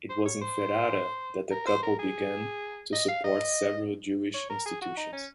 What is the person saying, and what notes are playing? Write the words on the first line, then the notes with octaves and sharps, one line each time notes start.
It was in Ferrara that the couple began to support several Jewish institutions.
C5
C#5
C5
A#4
C5
A#4
G#4
D#5
F5
D#5
C#5
A#4
G#4
F#4
D#4
C#4